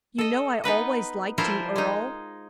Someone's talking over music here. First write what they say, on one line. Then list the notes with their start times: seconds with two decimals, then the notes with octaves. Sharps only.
"You know I always liked you, Earle."
0.18 A4 D#5
0.64 B3 D#4 B4 D#5
1.38 F3 G3 E4 F4 A#4 C5
1.76 G#3 D#4